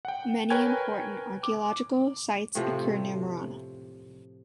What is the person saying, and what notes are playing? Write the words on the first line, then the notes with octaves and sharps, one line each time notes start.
Many important archaeological sites occur near Marana.
F#5 G5
A#4 B4 C#5 G5 G#5 G#6
D6
A2 C3 F3